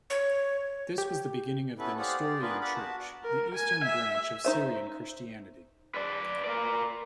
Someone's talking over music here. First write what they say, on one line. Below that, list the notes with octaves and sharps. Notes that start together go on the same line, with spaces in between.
This was the beginning of the Nestorian Church, the eastern branch of Syrian Christianity.
C#5
G4
B3 C#4 E4 A4 B4
G4 G#4 C5 D5 F5 F#5
G4 D5
B3 D4 F4 G#4 A#4 B4
B4 D5 F#5 B5
F#4 A5
A#4
G#5
E5
D#4 C5 E5
B4 D5
A#4 D5